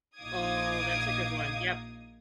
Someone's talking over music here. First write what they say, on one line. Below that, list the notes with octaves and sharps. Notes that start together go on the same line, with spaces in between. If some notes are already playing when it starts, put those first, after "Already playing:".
Oh, that's a good one. Yep.
A#1 D#4 F5 D6 D#6 G#6